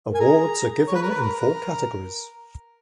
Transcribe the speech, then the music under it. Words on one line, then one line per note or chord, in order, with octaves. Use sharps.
Awards are given in four categories.
A#4 G#5
G#4 A#5
C#5
B4
A#4
B4
A#4